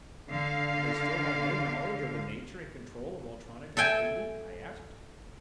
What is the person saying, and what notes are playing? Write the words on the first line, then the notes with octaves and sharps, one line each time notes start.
"But they still have no knowledge of the nature and control of ultronic activity?" I asked.
D3 F5
A4 E5 G5 G#5